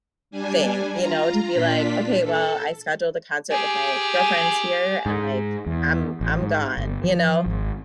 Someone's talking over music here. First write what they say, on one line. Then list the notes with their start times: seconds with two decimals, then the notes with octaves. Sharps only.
thing, you know, to be like, "Okay, well, I scheduled a concert with my girlfriends here, and, like, I'm I'm gone," you know,
0.31 G3 D4 G#5
0.92 F4 A#5
1.50 A#2 D4 F4 B6
2.22 A4
3.51 G4 G#4
5.06 G#2
5.66 E2
6.21 A1
6.42 G#2
6.77 G1
7.04 F3
7.46 G#1